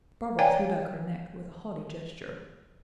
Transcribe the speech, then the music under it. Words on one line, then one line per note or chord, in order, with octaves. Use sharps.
Barbara threw back her neck with a haughty gesture.
C#5 D5 F5 G5 G#5 A#5